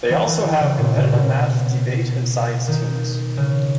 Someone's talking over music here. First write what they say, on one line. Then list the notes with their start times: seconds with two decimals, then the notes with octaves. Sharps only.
They also have competitive math, debate and science teams.
0.09 E3
0.27 E3
0.44 E3
0.61 C#3
0.78 A#2
0.96 C#3
1.13 B2
2.68 D#3
3.37 C#3